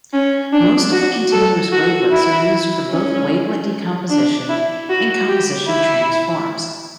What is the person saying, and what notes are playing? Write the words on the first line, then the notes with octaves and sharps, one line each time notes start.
Most of the continuous wavelets are used for both wavelet decomposition and composition transforms.
C#4
D4
F#4
A4
F#4
E4
C#4
D4
E4
F#4
G4
E4